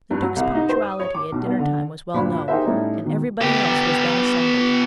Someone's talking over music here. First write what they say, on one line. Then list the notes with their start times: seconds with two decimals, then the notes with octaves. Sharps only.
The Duke's punctuality at dinner-time was well known, and everybody else was then assembled.
0.11 G2
0.22 F#3
0.36 C2
0.55 D#4
0.69 C5
0.82 D#6
1.00 C#5
1.15 D6
1.32 B1
1.45 B3
1.59 D3
2.14 D2 G2 A#2 G3 B5
2.48 D#4 G4 G#4 A#4 C5 E5
2.64 A2 G3 A3 C#4 D#4 E4
3.04 B2 D#3
3.41 B3 G4